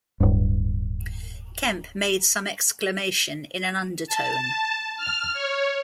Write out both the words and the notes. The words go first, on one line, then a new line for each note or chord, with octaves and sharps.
Kemp made some exclamation in an undertone.
D1 G2
A5
F6
C#5